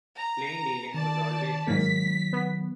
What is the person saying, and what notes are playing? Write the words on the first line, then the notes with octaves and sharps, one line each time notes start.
Plain dealing was always best.
A#5
D#3 D5 A5
G#2 D#3 F#3 A#3 B6
B3